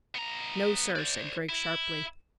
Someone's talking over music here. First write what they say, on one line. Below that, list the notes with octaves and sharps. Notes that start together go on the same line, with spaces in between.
"No, sir," said Griggs sharply.
B3 A#5
C5 D5
E4